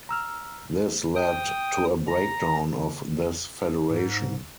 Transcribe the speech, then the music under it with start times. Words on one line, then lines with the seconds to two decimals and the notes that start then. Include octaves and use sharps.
This led to a breakdown of this federation.
0.09 A#5 E6 F6
1.15 G5 D#6
2.07 A#5
3.90 G#2